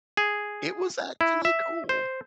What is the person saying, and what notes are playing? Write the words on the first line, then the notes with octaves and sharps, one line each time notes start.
It was actually cool.
G#4
E4
E5
C5